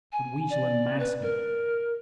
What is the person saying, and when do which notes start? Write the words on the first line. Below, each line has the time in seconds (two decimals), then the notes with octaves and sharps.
But we shall unmask him.
0.12 G#5
0.50 D5
0.99 B4
1.22 A#4